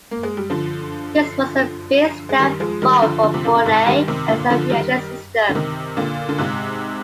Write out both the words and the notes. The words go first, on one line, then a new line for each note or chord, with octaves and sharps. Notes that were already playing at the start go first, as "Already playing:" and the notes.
This was a big step forward for Bonaire and its aviation system.
A#3
G#3
G3
D3 F3
G#3
D#3 G3
F3 G#3
D#3 G3
D3 F3
D3 F3
C3
A#2 D3
D3
G#2 C3
D#3 G3
C3 D#3
A#2 D3
D3 F3
D#3 G3
D3
C3 D#3
A#2 D3
D3
G#2 C3